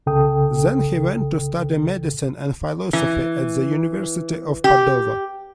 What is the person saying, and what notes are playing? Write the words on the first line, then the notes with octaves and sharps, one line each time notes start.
Then he went to study medicine and philosophy at the University of Padova.
C2 C#3 A4 G5 D#6
E3
G4